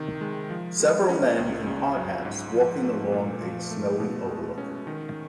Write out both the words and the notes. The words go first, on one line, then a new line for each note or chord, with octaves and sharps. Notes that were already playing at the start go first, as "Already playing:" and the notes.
Several men in hard hats walking along a snowy overlook.
Already playing: C3 D#3
G#3
F3
G#3
C#4
C#2
C#3
F#3
G#2
F3
A3
A#2
F3
A3
B2
G#3
C#4
D#3